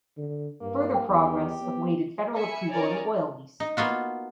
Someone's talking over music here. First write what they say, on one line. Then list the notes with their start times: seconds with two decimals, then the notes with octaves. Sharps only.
Further progress awaited federal approval of an oil lease.
0.18 D3
0.61 G2 A#3
1.09 E2 G4
1.61 B3
2.34 E5 G#5 B5 C#7
2.70 C#4 A#4 C#5 D5 G#5 A#5
3.60 D#4
3.77 A#3 B3 F4 F#4